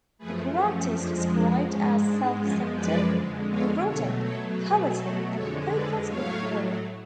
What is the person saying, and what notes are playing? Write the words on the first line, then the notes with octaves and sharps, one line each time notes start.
The character is described as self-centred, neurotic, cowardly and hopeless with women.
F#2 F3 A3 G#4 B4
C#4
F2 F3 G#3 D4
D4
G#2 G#3 C#4
D4
F#2 F3 G#3 C#4 F4
B4 D5
F2 D3 G#3
C#5 F5
B2 F#3 A3 A4 C#5
A4 C#5
B2 F#3 A3 G#4 B4
F#4 A4
F2 D3 G#3 A4 C#5
B4 D5
A2 F#3 A3 C#5 F5